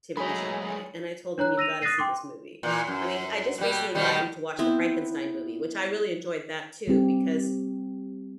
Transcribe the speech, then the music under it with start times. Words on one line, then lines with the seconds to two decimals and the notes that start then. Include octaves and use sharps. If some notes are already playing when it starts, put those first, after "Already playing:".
Timothée Chalamet, and I told him "You've gotta see this movie," I mean, I just recently got him to watch the Frankenstein movie, which I really enjoyed that too because
0.17 F#3 G#3 A3 C#5 G#5 A#5 B5
1.38 D4 C#5 A#5 F#6
1.57 E6 A#6 D#7 F7
1.81 D#6 F#6 A6 A#6 C7 D#7
1.99 G5 C6 D6
2.63 A#2 E3
2.87 F#2
3.58 B2 G3
3.95 B2 D#3 G3
4.59 B3 C4 E4
6.88 G3 C4 G4